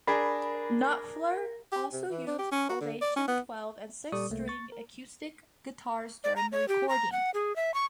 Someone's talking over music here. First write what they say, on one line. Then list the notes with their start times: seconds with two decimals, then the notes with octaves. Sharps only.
Knopfler also used Ovation twelve- and six-string acoustic guitars during the recording.
0.07 D4 G#4 A#4 B5
1.72 G4
1.93 C3
2.10 E3
2.27 D4
2.39 G4
2.52 C#4
2.70 F#4
2.81 D3
3.02 D5
3.16 C#4
3.28 B3
4.12 A#2 G3 A4 D5 C#6 D#6
4.30 C2 A3 A#3
4.48 C#6 A6
4.72 A#4
6.24 D5
6.36 A#5
6.52 C#5
6.68 G4
6.89 A#5
7.12 F#5
7.34 G#4
7.56 E5
7.74 C#6